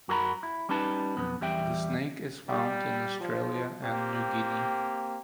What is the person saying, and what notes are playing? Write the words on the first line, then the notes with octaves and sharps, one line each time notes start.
The snake is found in Australia and New Guinea.
F#2 F#4 A#4 B4 A#5 B5
E4
G3 C#4 D#4 B4 A5
B1 F2 B3
E2 G3 E5 G5
G3
F3
A#3 C4 G4